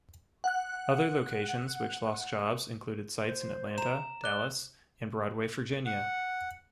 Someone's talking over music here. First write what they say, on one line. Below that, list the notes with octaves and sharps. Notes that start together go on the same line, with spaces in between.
Other locations which lost jobs included sites in Atlanta, Dallas, and Broadway, Virginia.
F#5 F#6
C5
A#5 E7
D5 F#6 G7
F#5